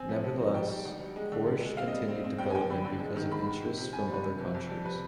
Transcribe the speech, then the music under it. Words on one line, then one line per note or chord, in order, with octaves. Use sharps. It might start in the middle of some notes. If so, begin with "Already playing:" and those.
Nevertheless, Porsche continued development, because of interest from other countries.
Already playing: C4 G#5
F3
F3
D#4
G3 G5
G3
D2
G3
G#3
D3
D3
G#3
C4 F5
G3 D#5
C4
C4
G2 G5
G#5
G2 G5
D3 B5
D3
G#3
D#3
D#3 B5
D#3
C3
C3
C3 G#5
G3
B4
C3
F2
F2
G3
C3 B4